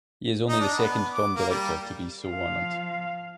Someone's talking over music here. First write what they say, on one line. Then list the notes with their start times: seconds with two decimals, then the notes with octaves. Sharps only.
He is only the second film director to be so honoured.
0.49 D#4
0.60 D4
0.78 B3
1.14 D6
1.36 A#3
1.50 G3
2.23 F3 F5